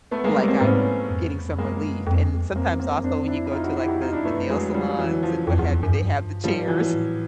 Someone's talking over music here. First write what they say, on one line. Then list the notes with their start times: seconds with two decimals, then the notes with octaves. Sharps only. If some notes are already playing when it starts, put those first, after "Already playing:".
like I'm getting some relief," and sometimes, also, when you go to, like, the the nail salons, and what have you, they have the chairs,
0.11 A3 B3
0.24 G#3 A#3
0.36 G3 A3
0.48 A#3 C4
0.60 G#2 B3 C#4
1.10 F2
1.41 E2
1.49 F2
1.57 F#2 G#3 A#3
2.07 F2
2.30 E2
2.55 F2 A#3 C4
2.79 A#3 C4
2.96 F#2
3.04 F2 C4 D4
3.28 D4 E4
3.46 E4
3.52 D#4 F4
3.64 E4 F#4
3.76 E4 F#4
3.84 G4
3.88 E4 F#4
4.01 E2 D#4 F4
4.12 D4 E4
4.23 G2 A3 B3
4.36 F#2
4.49 F2 F#3 G#3
4.73 F3 G3
4.91 F#2
4.98 F2 E3 F#3
5.23 F3
5.47 F2
5.59 E2
5.71 F2
5.83 F#2
5.95 G2
6.44 G#2 F3 G3
6.68 E3 F#3
6.93 A2